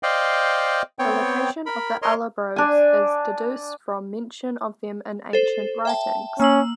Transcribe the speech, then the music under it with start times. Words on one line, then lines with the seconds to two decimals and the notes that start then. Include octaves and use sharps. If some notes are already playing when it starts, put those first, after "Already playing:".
The location of the Allobroges is deduced from mention of them in ancient writings.
0.03 C5 D5 D#5 F5 G5
0.99 B3 C4 C#5 G5
1.66 A#4 B5
2.02 A#4 C#5 D#5 C6
2.56 D4 G#5
5.33 A4 C5
5.85 E5 G5 A5
6.40 A#3 C#4 E6 F#7